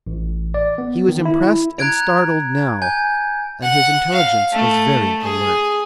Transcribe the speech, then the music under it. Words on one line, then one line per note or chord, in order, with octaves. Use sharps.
He was impressed and startled now, and his intelligence was very alert.
A1
D5
B3
D#3
E4
A#5 F#6 G#6 D7
G#5 G6
F#5
F5
A3
G#4